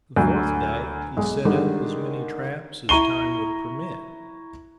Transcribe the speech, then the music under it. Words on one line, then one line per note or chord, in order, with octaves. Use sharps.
The fourth day he set up as many traps as time would permit.
D2 F#3
B1 G#3
D3 D#3 G3 G#3
E4 A#5 C#6 D#7 G7